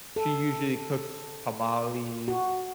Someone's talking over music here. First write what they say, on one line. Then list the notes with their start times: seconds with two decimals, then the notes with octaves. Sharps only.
She usually cooks tamales,
0.16 A4
2.28 F#4